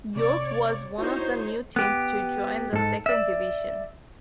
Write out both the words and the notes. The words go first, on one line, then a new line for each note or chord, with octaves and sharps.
York was one of the new teams to join the second division.
C3 C#5 D5
D#4 E4 F#4 C5 C#5
B3 G4
G#2 A4
D5 E5